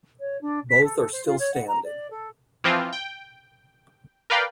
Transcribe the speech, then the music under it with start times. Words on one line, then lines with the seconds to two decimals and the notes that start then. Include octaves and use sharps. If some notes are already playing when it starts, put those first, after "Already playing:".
Both are still standing.
0.20 C#5
0.41 D4
0.70 B6
0.84 A4
0.98 A4
1.13 C5
1.26 F4
1.39 C#5
1.54 F#5
1.68 A#5
1.84 D5
2.11 A4
2.64 E3 F3 C4 F4
2.93 G5
4.30 A#4 B4 D5 F5 G5